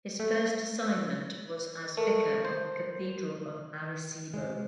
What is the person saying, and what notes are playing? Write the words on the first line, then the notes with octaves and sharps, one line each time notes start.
His first assignment was as Vicar of the Cathedral of Arecibo.
A3
A3 A#4
C5
G#3